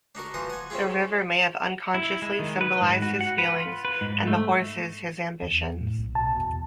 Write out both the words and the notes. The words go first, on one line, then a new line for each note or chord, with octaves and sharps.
The river may have unconsciously symbolized his feelings and the horses his ambitions.
D4 D#4 F#4 A#4
E3 F3 C5 D#6
F#5 G#5
C4 C#4 E4 F4 G#4
E4
G#3
D#3
B4
G#2
F#4
F#5
B4
F4
B4
G#2
A3
E2
A2
B1
B2 A5
E2